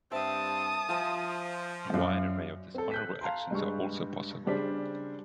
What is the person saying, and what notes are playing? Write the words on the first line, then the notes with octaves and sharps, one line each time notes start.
A wide array of dishonorable actions are also possible.
G2 C4 E5 A5 D#6
F3 F4 E5 G#5
F#2 D5 F5
C4 A4
F#6 G6 B6
F5 A5 A#5 C6
G2 G3 G#3 C#6
C#3 G3 D4 C5 B6